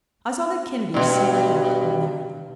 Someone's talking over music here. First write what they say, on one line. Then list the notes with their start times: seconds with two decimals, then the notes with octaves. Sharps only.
I saw that Kennedy singled out Marilyn.
0.94 G2 B2